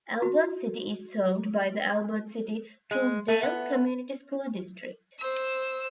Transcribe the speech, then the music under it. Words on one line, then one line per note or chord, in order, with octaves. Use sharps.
Albert City is served by the Albert City-Truesdale Community School District.
F#4
G#3
A3
B3
C5 E6